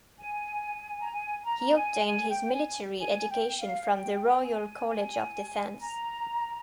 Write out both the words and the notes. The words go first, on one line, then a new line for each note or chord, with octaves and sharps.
He obtained his military education from the Royal College of Defence.
G#5
A#5
G#5
A#5
G#5
G#5
G5
G#5
G#5
G5
F5
G5
G#5
A#5